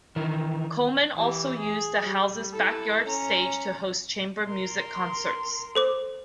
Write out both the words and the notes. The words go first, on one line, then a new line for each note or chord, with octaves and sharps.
Coleman also used the house's backyard stage to host chamber music concerts.
D#3 E3 A#4
E3 G4
G#4
G3
E4 A4
C#4 A#5
A#4 C6
A4 C5 D6